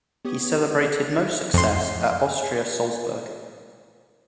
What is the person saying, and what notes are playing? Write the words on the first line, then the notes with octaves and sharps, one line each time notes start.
He celebrated most success at Austria Salzburg.
B3 G4 C#5 D#6 G#6
F2 C6